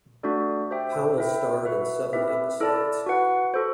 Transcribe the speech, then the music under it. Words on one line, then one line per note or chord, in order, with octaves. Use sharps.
Powell starred in seven episodes.
A3 D4 F#4 A4 D5
G4 C5 E5 G5
E4 B4 E5 G5
F#4 B4 E5
C4 E4 G4 B4 E5
E4 A4 D5 A5
F#4 B4 F#5
F#4 A4 C5